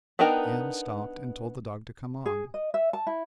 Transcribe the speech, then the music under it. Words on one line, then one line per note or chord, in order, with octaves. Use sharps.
Am stopped and told the dog to come on.
B3 D4 D#4 A#4 G5
G#4
D#5
E5
A5
E4